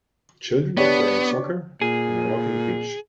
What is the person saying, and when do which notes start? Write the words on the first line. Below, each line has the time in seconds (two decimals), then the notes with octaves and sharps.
Children are playing soccer on a rocky beach.
0.77 B3 D4 G4 C#5
1.81 A#2 G#4